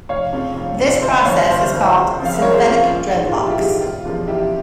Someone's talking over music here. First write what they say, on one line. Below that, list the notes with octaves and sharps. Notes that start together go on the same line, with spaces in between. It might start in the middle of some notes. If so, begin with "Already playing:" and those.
This process is called synthetic dreadlocks.
F1 C#5 F5
F2 C#3 F3 C4
F1
F2 C#3 F3 C4
G1 C5 E5
G2 E3 C#5 F5
G1 C5 E5
G2 E3
C#2
C#3 F3 C4
F5
E5
C#2 A#4 C#5
G#4 C5
C#3 F3 C4
F4
A#1 F4
G#2 E3 G#3
F4
A#1 E4 G4
F4
E4 G4
G#2 E3 G#3
E4
E1 F4
E2 C#3 F3 G#3
E1 E4 G4